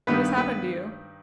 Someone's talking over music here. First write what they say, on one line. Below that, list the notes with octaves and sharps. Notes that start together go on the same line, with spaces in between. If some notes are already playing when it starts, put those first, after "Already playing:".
What has happened to you?
G2 D#3 G3 B3 B4
B3 B4